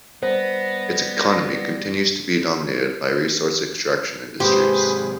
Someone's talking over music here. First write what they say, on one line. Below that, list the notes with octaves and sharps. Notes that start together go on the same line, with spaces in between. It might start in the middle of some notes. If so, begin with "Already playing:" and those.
Its economy continues to be dominated by resource extraction industries.
G3 B3 C5 A#6
G#2 C3 G#3 G4 G#4 B4 C5